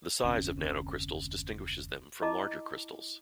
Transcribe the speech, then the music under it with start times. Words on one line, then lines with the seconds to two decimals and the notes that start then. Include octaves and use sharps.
The size of nanocrystals distinguishes them from larger crystals.
0.24 F1 D2 C4 C#4
2.22 E4 D#5 A5 A#5 D6